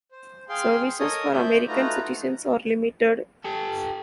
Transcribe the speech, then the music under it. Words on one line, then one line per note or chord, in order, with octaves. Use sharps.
Services for American citizens are limited.
C5
G#4 F5 G5 C6
A4 A#4 C#5 D#5 G#5 D#6
A3 C5 D5 E5 G6
A3 D#4 F4 F#4 B4 A#5
G4 A4